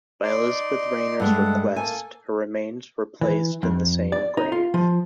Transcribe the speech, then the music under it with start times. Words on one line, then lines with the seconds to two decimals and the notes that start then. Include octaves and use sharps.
By Elizabeth Rayner's request, her remains were placed in the same grave.
0.24 D#4 D5 C6
1.20 G2 G#3 A3 A4 F#5
1.76 A#3 A4 G#5
3.21 E3
3.63 F2
4.12 D5
4.37 D#4
4.52 F4
4.74 F3